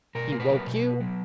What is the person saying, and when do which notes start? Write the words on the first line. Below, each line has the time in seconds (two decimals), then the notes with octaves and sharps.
"He woke you?"
0.15 B2 A#4
0.32 A#3
0.40 B4
0.48 F#3
0.67 B2
0.82 B3
1.00 F#3